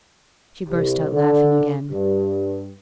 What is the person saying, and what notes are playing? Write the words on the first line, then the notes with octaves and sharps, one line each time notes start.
She burst out laughing again.
C2
D3
G2